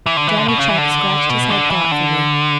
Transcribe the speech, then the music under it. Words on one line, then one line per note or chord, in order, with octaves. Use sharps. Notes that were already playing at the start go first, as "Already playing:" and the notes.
Johnny Chuck scratched his head thoughtfully.
E3
D3
E3
D3
B2
C#3
E3
D3
B2
D3
E3
D3